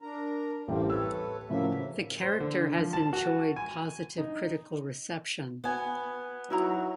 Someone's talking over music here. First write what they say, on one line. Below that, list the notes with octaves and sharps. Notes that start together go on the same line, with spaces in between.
The character has enjoyed positive critical reception.
D4 A#4 A#5
A1 G3 A3 A#3 C4
A4 B4 C#5 E6
A2 C#3 F3 F#3 A#3 E5
C5
D3
F3
A5
F#4
G#5
D#4
B3 F#4 G#5
F#3 D#4 E4 A#5